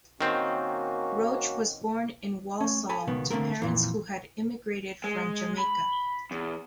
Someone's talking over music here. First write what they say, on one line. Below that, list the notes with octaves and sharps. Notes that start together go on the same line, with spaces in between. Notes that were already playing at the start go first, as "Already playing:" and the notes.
Roach was born in Walsall to parents who had immigrated from Jamaica.
D#3 A#3 C4 C#4 F#4
A3 C#4
A4 G#5 B5
C#2 B2 D#3 B3
D3 A3 A#3 C4 A#4
F2 A#2 E3
G#3
B5
E2